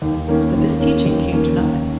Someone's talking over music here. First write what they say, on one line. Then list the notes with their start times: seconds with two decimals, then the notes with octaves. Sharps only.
But this teaching came to nothing.
0.02 D#2
0.28 D#3 A#3 C#4
0.54 D#2
0.80 D#3 A#3 C#4
1.06 D#2
1.32 D#3 A#3 C#4
1.58 D#2